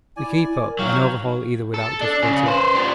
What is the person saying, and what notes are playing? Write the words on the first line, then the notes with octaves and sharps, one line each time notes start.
We keep up and overhaul either without difficulty.
E4 D5 G#5
A#4
F#3 D#4 F5 G5
A4
D4
C#3
B4 C5
G3 F4